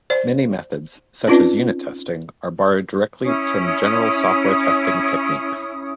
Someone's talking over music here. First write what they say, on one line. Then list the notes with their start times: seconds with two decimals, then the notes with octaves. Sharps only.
Many methods, such as unit testing, are borrowed directly from general software testing techniques.
0.10 C5 D5
1.27 C4 C#4 D#4 F4 B4 D5
3.24 C#4 E4 D#6